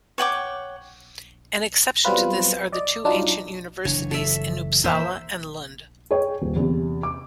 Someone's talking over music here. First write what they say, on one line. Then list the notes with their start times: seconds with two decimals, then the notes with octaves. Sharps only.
An exception to this are the two ancient universities in Uppsala and Lund.
0.18 C#5 F#5 G5 D6
2.05 F#3 G3 B3 C4 F4 B4
2.72 D5 D#5
3.05 F#3 D4 D#4 F4
3.85 F#1 E3 D4 C#5
4.11 A4 E5
4.84 E1 E3 A#3 A#4 C5 E5
6.11 G#4 C#5 G5
6.42 D#1
6.56 E2 C3
7.03 D6